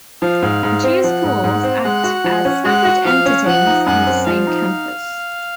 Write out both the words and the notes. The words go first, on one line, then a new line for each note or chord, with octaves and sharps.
The two schools act as separate entities on the same campus.
F3 F5
G#2
G#2
C4
F3 F#5
G#2
G#2
C4
G#3 F#5
F#4
F3
C#4
G#3 F#5
F#4
F3 F5
C#4
F3 F#5
D#4
F#2 F#5
C4
F3 F5
D#4